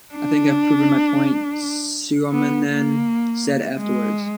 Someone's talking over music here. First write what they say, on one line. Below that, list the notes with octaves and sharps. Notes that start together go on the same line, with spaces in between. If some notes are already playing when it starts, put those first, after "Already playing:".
"I think I've proven my point," Suominen said afterwards.
D4
B3
A#3
G#3